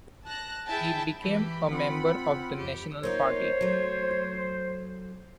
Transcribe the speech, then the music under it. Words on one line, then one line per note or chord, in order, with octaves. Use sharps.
He became a member of the National Party.
A5 F#6 A#6
E4 G#4 E5 G5 A5
E3 G4 B5
C4 F4 F#5
F2 G4
A#3 D#4 F4 C5 C#5
F#3 A3